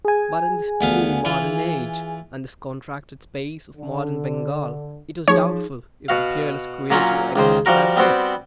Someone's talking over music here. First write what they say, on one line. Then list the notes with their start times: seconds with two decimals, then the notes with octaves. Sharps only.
But in this puny modern age, and this contracted space of modern Bengal, it was doubtful if the peerless creature existed as yet.
0.05 G#4 G#5
0.81 D2 B3 F5
1.25 E3 F4
3.77 D3
5.28 F3 D#4 G#4 C#5
6.08 B2 F#4 F5
6.90 A#2 F#3 A#3 C#4 F4
7.36 C#2 D#3 C5
7.66 F3 G3 F#4 A#4
7.97 G3 B3 C4 F#4 C5 G5